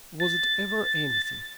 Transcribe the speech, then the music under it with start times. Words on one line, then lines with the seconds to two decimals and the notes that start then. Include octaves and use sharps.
Was it ever anything?
0.20 A6